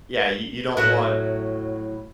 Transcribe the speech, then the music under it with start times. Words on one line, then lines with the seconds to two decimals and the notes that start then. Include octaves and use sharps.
yeah, you you don't want
0.77 A2 F#3 F#4 E5 F#6